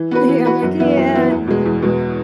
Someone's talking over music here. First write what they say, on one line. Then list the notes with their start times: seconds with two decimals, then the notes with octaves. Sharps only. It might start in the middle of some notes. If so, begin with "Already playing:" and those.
Yeah, I'm like "Yeah, no,"
Already playing: E3
0.11 B3 F#4 B4
0.29 E3
0.45 B3 F#4 B4
0.63 F#2
0.79 E3 B3 E4
0.97 F#2
1.14 E3 B3 E4
1.30 E2
1.47 B2 G#3
1.66 E2
1.82 B2 G#3